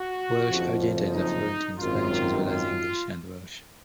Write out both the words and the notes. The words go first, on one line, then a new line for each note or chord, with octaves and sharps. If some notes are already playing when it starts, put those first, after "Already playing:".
Welsh-Argentines are fluent in Spanish as well as English and Welsh.
Already playing: F#4
F#1 F2 F3
D#4
G#1 F#2 D#3 F4
F4